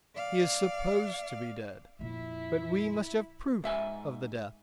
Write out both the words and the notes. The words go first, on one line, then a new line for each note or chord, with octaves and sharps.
He is supposed to be dead, but we must have proof of the death.
D5 F5
F2 A#2 E4 E5
G#2 E5 G#5